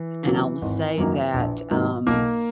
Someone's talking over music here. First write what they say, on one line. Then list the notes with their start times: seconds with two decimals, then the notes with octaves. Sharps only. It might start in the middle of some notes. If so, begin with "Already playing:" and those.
And I will say that, um
Already playing: E3
0.26 C#3 F#3 A#3
0.62 G#1
0.98 F#2 D#3 F#3 A#3
1.34 A#1
1.71 G#2 D#3 F#3 A#3
2.07 B1 A#3 A#4